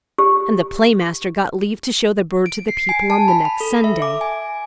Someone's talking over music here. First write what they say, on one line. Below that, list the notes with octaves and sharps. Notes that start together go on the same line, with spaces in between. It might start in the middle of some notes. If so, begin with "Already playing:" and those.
And the Play-master got leave to show the bird to the people on the next Sunday.
G4
D7
C7
G#5
A5
B5
B5
A4
E5
D6
G#5